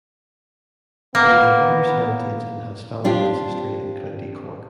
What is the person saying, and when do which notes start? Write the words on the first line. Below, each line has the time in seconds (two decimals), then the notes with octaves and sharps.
He is of Irish heritage and has family ancestry in County Cork.
1.15 A#3 B3
3.04 C4 D4 F4 G4